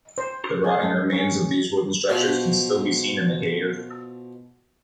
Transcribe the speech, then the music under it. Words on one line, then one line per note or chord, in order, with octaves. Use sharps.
The rotting remains of these wooden structures can still be seen in the cave.
C5
G#4
G#3
C#4
B2 F3